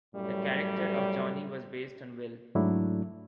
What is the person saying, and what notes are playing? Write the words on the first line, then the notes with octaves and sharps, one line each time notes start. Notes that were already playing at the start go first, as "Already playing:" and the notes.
The character of Johnny was based on Will.
F#2 A2 G3
G#2 F#3 A3 D4 E4